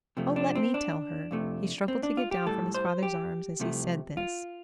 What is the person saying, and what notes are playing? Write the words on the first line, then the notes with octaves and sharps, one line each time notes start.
"Oh, let me tell her!" He struggled to get down from his father's arms as he said this.
F2 C3 F3 A3
D4
C4
D4
F2 C3 A3
C4
D4
F4
G4
A2 G3 A4
C5
G4
C2 C3 F3 A3
F4